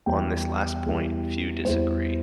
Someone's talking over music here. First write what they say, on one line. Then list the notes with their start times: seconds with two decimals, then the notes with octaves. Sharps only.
On this last point, few disagree.
0.06 E2 E3 G3 G5
0.86 E2 E3 G3
1.64 E2 E3 G3 C5